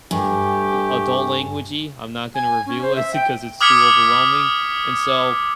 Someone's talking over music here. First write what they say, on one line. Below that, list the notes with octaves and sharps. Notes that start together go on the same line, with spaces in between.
eh, adult language-y. I'm not going to reveal it 'cause it's too overwhelming. And so
G2 A3 G4 G#5
G#5
C#4
C5
E5
G5
D6 D#6 F6 G#6 B6 C#7